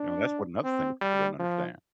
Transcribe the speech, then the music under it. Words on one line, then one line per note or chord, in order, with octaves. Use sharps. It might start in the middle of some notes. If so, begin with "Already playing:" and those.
You know? That's what another thing that people don't understand.
Already playing: D4
C4
G3
F3